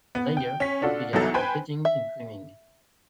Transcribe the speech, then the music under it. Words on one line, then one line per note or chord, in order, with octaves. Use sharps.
Zeiger first began competing in swimming.
B3
G5
C#4 B6
D4 F4 F#4 A4
C2 E3 F#3 B3 D#4 A4
B4 C5 G5 G#5 B5
E5